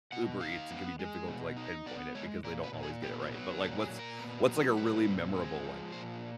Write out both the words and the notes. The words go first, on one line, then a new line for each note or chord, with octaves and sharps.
Uber Eats, it could be difficult to, like, pinpoint it, because they don't always get it right, but, like, what's what's, like, a really memorable one?
B2 F#5
D#4 F5
B3
G#3
B2
D#4
B3 D5
G#3 C#5
A#2 A#4
B4
A#2
G#4
B3 G4
F4
F#3
A#2 A4
G#4
A#2
A#4
B3
F#3
A#2 B4
C4
G#3
F3
A#2 C5